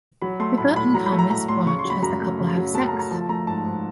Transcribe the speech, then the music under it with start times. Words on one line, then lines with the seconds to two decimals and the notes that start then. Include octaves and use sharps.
Pippa and Thomas watch as the couple have sex.
0.22 F#3 B5
0.40 A3 C6
0.58 A2 B5
0.76 A2 B5
0.94 F#3 A#5
1.06 B5
1.12 A3
1.19 A#5
1.30 A2 A#5
1.48 A2 C6
1.66 C#3 C#6
1.79 C6
1.85 F#3
1.90 B5
2.03 F#2 A#5
2.21 A3
2.39 C#3
2.58 F#3
2.75 F#2 A5
2.88 A#5
2.93 A3
2.99 A#5
3.11 F3 A5
3.29 A3 A#5
3.47 G#2 A5
3.65 G#2